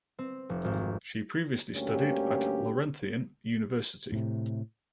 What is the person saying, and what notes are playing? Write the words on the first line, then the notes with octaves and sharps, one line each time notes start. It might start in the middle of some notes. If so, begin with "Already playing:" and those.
She previously studied at Laurentian University.
C4
F1
G#1
D2 G2 A#3 C#4 G4
A2 C3